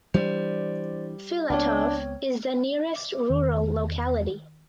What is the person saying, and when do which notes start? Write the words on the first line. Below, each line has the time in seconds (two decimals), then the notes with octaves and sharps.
Filatov is the nearest rural locality.
0.14 E3 G3 D4 C5 D5
1.50 C#2 B3 C4 D4 C#5
2.96 D6
3.30 E2 D#3